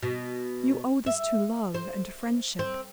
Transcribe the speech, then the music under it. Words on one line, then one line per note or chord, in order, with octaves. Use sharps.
You owe this to love and friendship.
B2
E5
C5
C4